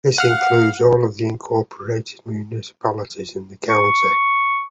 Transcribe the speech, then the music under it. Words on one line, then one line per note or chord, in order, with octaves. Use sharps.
This includes all of the incorporated municipalities in the county.
F5 F#5 F6
C#6